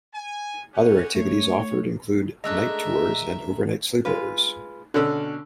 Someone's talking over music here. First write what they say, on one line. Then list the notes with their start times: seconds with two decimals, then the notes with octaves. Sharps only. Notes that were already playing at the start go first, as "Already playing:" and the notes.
Other activities offered include night tours and overnight sleepovers.
0.14 G#5
0.73 C#4 G4 F#5
1.15 A3 C#5
2.44 G#3 A3 D4 A#4 D#5 E5 E6 F#6
4.05 G#3 F4 B4
4.94 B2 D3 C#4 A4 E6